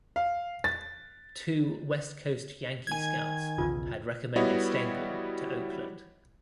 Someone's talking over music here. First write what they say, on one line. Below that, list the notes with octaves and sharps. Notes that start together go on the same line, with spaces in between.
Two West Coast Yankee scouts had recommended Stengel to Oakland.
F5
A6
D#3 G#5 G#6
B1 E2 C#3 F4
G3 B3 E4 F#4 C#5 D#5